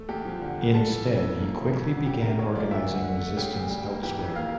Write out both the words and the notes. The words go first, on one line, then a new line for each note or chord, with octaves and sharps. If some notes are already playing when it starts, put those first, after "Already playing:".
Instead, he quickly began organising resistance elsewhere.
Already playing: A3
E2 G4
F3
D3
G2
G3 A4
E3
F2
E3
A#3
C#3
F2
D3
G3 G4
A#2 A#4
A#3 C#5
F3 D5
D2 E5
D3
D3
A3
C#3 G4
D2
G3
A#3
E3 G4
F2
A#3 F5